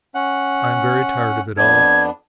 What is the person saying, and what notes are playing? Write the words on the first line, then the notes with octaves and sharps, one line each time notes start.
I am very tired of it all....
C#4 F#5
F2 B3 D4 G#6